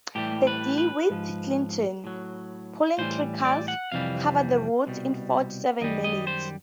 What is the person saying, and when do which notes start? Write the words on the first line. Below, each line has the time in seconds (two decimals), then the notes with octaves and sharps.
The DeWitt Clinton, pulling three cars, covered the route in forty-seven minutes.
0.15 A2 E3 G3 G4
0.47 B4
0.78 B4
1.10 G#2 F3
2.04 A2 F#3
2.98 A2 E3 G3 C5
3.45 D5
3.68 F#5
3.92 F2 C3 E3 G3 F5
4.87 C2 B2 G3
5.81 F#2 D#3 G3 D#5
6.04 D#5
6.27 C5